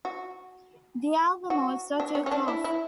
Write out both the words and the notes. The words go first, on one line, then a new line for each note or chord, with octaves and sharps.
The album also took off.
F#4
F#4
D4
C#4
C#4
D4
E4
E4